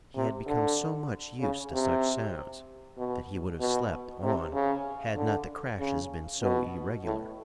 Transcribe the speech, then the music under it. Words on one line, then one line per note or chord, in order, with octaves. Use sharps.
He had become so much used to such sounds that he would have slept on had not the crashes been so irregular.
C3
D3
C#3
C3
B2
B2
C3
C#3
D3
C#3
B2
A2